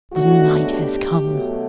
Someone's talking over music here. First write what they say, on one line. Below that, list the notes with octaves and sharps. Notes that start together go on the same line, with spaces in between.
The night has come!
B2 F#3 A3 D4 F#4
G4
B2 F#3 A3